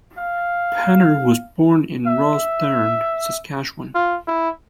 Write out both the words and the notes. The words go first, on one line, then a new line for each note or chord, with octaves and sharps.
Penner was born in Rosthern, Saskatchewan.
F5
E5
F4
E4